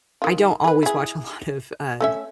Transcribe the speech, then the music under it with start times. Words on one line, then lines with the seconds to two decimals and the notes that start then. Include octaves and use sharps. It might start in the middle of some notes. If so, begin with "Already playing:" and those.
I don't always watch a lot of, uh,
0.22 D#3 F4
0.64 G#4 B4
0.83 E4 G#4
2.00 A3 C#4 E5